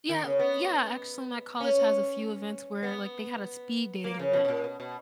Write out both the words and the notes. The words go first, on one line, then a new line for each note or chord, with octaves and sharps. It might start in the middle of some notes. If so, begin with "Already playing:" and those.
Yeah yeah, actually my college has a few events where, like, they had a speed dating event
D#3
C#3
B3
C#4
B3
A#3
C#3
B2
B2
A#2
B2
B2